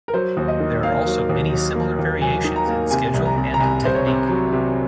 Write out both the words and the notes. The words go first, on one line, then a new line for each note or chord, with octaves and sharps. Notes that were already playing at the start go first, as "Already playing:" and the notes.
There are also many similar variations in schedule and technique.
A#4
F#3 C5
D#2
D#5
D#3
A#3 F5
F#3
D#2
F#3
A#3
D#2
F#3 G#5
D#3
A#5
A#3
C3 G#5
C2
A#5
C2
A#5
C2 G#5
C2 C5
C#5
C3
F#3
C3